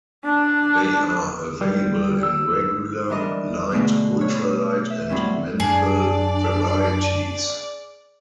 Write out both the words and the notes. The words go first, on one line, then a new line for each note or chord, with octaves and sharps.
They are available in regular, light, ultra-light and menthol varieties.
D4
G3
E6
E3 G3 D4 A#4 D#5
B2 D3 G#3 A3 D#4
C#5
E5
A2 F#3 G3 C4 C#4 E4
F#2 D#3 D4 G#4 D5